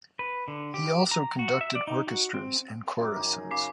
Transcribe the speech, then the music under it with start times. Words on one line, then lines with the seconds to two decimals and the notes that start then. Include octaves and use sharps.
He also conducted orchestras and choruses.
0.19 B4
0.48 D3
0.74 G4
1.11 A#5
1.39 F#4
1.61 E5
1.75 D5
1.87 D#4
2.07 F#4
2.34 C4
2.99 F#2 A#5 D6
3.16 D#4 G#4
3.51 C#3 D6 B6 C7